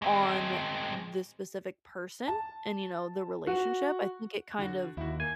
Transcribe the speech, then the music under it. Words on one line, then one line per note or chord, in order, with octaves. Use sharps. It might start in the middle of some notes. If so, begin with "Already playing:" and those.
on the specific person and, you know, the relationship, I think it kind of
G#3 C4
A5
F#4
D3 F#4
D#2 E4 F#4
A#3 G#5